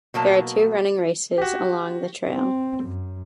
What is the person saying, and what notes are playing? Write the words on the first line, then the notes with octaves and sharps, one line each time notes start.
There are two running races along the trail.
B2 F#3 A#3 A5
F#4 G4
C4
F#2